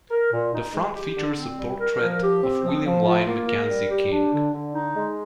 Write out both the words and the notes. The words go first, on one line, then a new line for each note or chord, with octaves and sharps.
The front features a portrait of William Lyon Mackenzie King.
A#4
A#2
D#4
G#3
G4
D3
C4
G3
A#4
F3
G4
C4
F3
F3
F4
A#3
A#4
G3
G4
D4
D3
D3
D#4
G#3